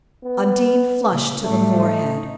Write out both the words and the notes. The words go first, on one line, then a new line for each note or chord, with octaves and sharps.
Undine flushed to the forehead.
B3
A#2 C#3
A2 F#3 G3 A3
D#4